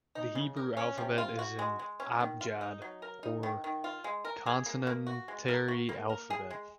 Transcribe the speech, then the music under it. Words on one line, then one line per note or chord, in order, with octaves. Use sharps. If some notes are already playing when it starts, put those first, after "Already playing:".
The Hebrew alphabet is an "Abjad" or consonantary alphabet.
D#4
C#3
A#4
C#4
C3
F4
F#4
G#3
G#3
C#4
D#3
F4
D#4
F#3
A#4
D#4
D#3
D#3
F4
G#3
A#4
G#4
A#3
A#3
F#4
G#3
A#4
F#4
A#3
A#4
G#4
G#3